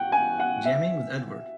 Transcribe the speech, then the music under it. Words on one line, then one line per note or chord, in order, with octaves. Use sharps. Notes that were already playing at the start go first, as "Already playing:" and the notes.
Jamming with Edward!
Already playing: F#5 G5
G#5
F#5
E5